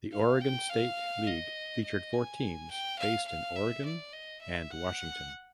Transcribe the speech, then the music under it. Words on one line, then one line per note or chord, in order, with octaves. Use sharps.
The Oregon State League featured four teams based in Oregon and Washington.
F5
G5
F5
D#5
D#5
G#5
G5
F5
F5
E5
D5
D#5
E5
F#5